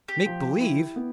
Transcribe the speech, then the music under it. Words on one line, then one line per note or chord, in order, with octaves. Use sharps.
"Make believe!"
G4
F3
E4
B3